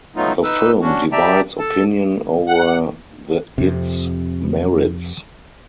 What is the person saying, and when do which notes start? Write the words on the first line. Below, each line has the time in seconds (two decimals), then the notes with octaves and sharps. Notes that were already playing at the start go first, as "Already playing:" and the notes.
The film divides opinion over the its merits.
0.16 F#3 A3 B3 D#4 F4
0.44 D#4 B4 E6
0.82 C#4 D4 F#4
1.12 G4 D5 E5 G5 A5 A#5
1.59 A4 A5
2.47 F#5
3.58 F2 C3